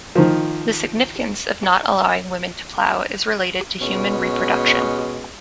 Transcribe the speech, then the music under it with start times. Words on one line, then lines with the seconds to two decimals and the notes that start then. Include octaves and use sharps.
The significance of not allowing women to plough is related to human reproduction.
0.15 D#3 F3
3.80 B2 G#3 C#4